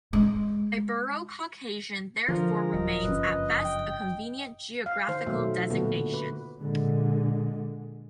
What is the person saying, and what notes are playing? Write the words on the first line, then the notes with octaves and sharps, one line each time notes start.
"Ibero-Caucasian" therefore remains at best a convenient geographical designation.
G#3
D3 F3 A#4
D#1 D#5
F#1 G2 C#4 B4
G5
F5
D#3 C5
B2 F#3 A3 E5
A#2 D3 A3 B3 F#4
B4
A#2 D3 G#3